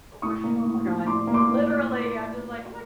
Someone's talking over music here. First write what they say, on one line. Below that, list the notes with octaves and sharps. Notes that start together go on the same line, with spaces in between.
Oh righ oh my god, literally! I'm just like, "Oh my
A2 C#6 D#6
A#3
A2
F3
A2 C6 D6
A#3
C6 D6
A2